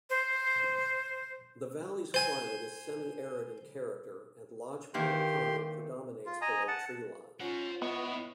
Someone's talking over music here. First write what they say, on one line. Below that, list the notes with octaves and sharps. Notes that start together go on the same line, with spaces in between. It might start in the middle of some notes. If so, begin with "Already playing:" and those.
The valley's climate is semi-arid in character and lodgepole pine predominates below treeline.
C5
C5 G#5
D#3 E3 A#3 G4 C6
F4
D#5 G#5 A#5
F#5 A5
C#4 F4 C5 F#5
B3 E4 C#5 D#5